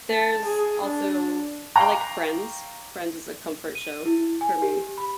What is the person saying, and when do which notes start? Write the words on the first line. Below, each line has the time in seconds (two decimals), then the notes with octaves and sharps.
There's also I like Friends, Friends is a comfort show for me.
0.11 A5
0.46 G#4
0.85 D4
1.76 F5 G5 A#5 C#6 D6 F#6
3.75 D#7
4.05 E4
4.41 G#5
4.62 G4
4.98 B5